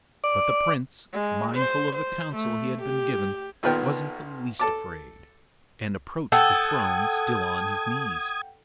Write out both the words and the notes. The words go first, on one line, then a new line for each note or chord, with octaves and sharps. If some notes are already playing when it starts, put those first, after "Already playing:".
But the Prince, mindful of the counsel he had been given, wasn't the least afraid, and approached the throne still on his knees.
D5
G#3
C5
C5
A3
G4
B1 A#2 D#3 B3 G5
A4 A5 D6
A4 F#5 G5 D#6 G#6